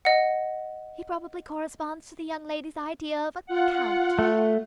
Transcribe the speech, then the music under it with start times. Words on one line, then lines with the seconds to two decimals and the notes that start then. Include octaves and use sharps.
He probably corresponds to the young lady's idea of a count.
0.05 D#5 F#5
3.46 F4 F#5
4.19 A3